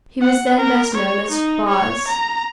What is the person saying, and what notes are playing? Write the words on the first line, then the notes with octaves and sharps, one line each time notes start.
He was then best known as "Boz."
F#5
A#4
C#5
D#4
C#5
A#5